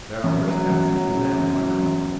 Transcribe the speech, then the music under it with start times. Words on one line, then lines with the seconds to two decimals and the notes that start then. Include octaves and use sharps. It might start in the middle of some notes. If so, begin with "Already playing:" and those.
There are worse tasks than that, in my calling.'
0.24 F#2
0.48 F#3
0.70 F#2
0.92 F#3
1.15 C#3
1.38 F#2
1.60 F#3
1.83 F#2